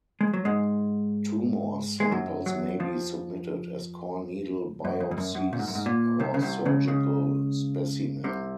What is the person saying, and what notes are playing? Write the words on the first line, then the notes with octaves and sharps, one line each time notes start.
Tumor samples may be submitted as core needle biopsies or surgical specimen.
G#3
F#3
G#2 G#3
G#3
F#2 F#3
F#2 F#3
F2 F3
F#2
F2
F2
F#2
F#2
A#2
G#2
F#2
G#2
A#2
C2 C3
C#3
C2 C3
C#2 C#3
C#2 C#3
C2 C3